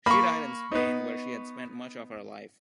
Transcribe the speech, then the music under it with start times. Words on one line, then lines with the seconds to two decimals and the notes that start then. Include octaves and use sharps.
She died in Spain where she had spent much of her life.
0.06 A#3 B5 C#6
0.72 B3 D#4